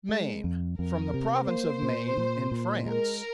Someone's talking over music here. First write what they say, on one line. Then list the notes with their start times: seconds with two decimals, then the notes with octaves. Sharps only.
Maine--From the province of Maine, in France.
0.09 G#3
0.44 F2
0.79 F2 A#4
1.14 C3
1.47 A#3 C5
1.82 A#2
2.18 A#2
2.51 A#2
2.86 G#3 A#4